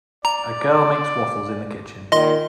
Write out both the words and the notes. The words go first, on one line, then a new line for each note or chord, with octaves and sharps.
A girl makes waffles in the kitchen.
D5 A#5
A#2 D#3 D#5 C6